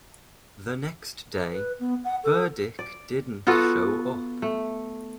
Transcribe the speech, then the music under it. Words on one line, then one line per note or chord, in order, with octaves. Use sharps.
The next day, Burdick didn't show up.
B4
B3
F#5
A4
D5
B3 F4 F#4 A4
A3